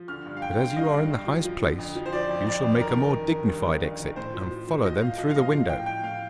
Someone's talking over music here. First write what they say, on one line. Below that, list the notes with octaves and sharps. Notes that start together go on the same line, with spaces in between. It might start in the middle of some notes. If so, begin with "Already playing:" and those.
But as you are in the highest place you shall make a more dignified exit, and follow them through the window!'
Already playing: F3
D3 F6
G2
F5
G2 G5
D3
F5
G2 D#5
G2
G2
F3
F3
D3
F2
F3
C5
F3 D5
F2
F2 D5
F2
D#3 A#4
D#3
D#3
D#3
G2
G2
D#3
D#3
A2 C5
F3
F3
F3
F3 D#5
F3 F5
F3 D#5
F5
A2 D#5
F3 F5
A2 G5
A2 G5
A2 F5